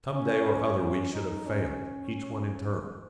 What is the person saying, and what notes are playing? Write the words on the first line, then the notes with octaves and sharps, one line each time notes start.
Some day or other we should have failed, each one in turn.
C#4
C#4
D#4
C#4